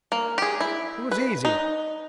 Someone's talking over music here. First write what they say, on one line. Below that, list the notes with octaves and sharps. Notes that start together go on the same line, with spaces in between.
It was easy.
A#3
G4 G#4
E4
B4
D#4